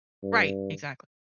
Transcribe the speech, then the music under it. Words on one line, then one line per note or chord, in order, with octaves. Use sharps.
Right. Exactly.
G2